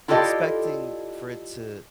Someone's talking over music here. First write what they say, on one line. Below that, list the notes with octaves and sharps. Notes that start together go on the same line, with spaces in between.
expecting for it to
E4 F4 G4 A4 D5 D#5